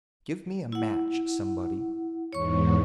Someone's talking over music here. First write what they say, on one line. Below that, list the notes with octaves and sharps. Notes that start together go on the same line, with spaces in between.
Give me a match somebody....
E4 F#5
E2 G#2 C#5 C#6